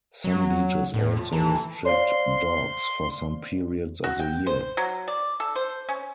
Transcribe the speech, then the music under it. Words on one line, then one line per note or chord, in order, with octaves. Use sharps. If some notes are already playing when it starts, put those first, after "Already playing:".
Some beaches also restrict dogs for some periods of the year.
F#3 A#5
A2
F3
E3 A4 A#5
C5 D5 F5 C6
F#4
G5
C5
F#3
D5
A4
C5
C#4